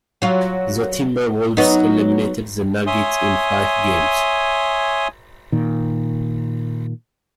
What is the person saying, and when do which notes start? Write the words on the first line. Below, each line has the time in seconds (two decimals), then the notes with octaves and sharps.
The Timberwolves eliminated the Nuggets in five games.
0.22 F#3 F4
1.57 F#3 B3 D#4
2.87 C#5 E5 G#5 C6 D#6
5.52 A#2 D#3